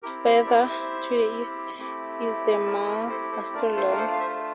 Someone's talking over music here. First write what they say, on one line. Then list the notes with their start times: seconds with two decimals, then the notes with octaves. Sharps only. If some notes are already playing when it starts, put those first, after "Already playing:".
Farther to the east is the Mare Australe.
0.03 C4 E4 G4 A#4
0.25 A4 C5
0.42 E5
0.46 A#4 D5
0.69 C5 E5
1.78 A3 C4 E4 G4
2.66 A#4 D5
2.88 A#4
3.10 A4 C5
3.32 A4 C5
3.54 A3 D4 F4 A#4 D5
3.76 A4 C5
3.90 A#4
3.97 A4 C5
4.11 F5
4.20 C5 E5